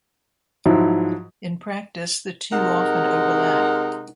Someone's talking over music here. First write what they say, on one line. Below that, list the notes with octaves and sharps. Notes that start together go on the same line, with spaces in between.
In practice, the two often overlap.
G#2 F3 F#3 E4
C3 G#3 D#4 A#4 F#5